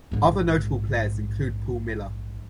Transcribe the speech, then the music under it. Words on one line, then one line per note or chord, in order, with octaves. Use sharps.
Other notable players include Paul Miller.
A#1 G#2